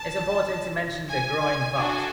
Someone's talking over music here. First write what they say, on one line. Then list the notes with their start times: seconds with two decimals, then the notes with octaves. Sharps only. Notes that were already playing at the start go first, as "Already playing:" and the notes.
It’s important to mention the groin vault.
Already playing: A5
1.10 G#5
1.76 D4 F#4 A4